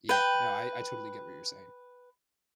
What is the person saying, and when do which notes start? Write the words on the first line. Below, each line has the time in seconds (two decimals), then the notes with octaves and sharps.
Yeah, no, I I totally get what you're saying.
0.09 B4 G5